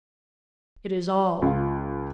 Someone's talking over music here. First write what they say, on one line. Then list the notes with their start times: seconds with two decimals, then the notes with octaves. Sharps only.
It is all.
1.42 C#2 F4